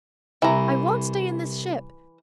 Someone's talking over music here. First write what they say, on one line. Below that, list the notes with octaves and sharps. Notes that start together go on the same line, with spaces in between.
I won't stay in this ship!
C2 E3 A#5